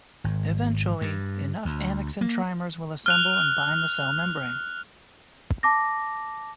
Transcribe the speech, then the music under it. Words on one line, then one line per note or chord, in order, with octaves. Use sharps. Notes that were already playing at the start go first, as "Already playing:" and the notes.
Eventually, enough annexin trimers will assemble and bind the cell membrane.
G#1
G2
D2
A#3
F6 F#6 F7
A5 D6 A#6